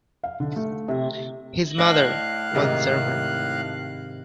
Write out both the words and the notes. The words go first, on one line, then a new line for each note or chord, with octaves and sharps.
His mother was German.
F5
D3
A3
C3
A2 D4 D#5 F5 F#6
G#2 C3 D#3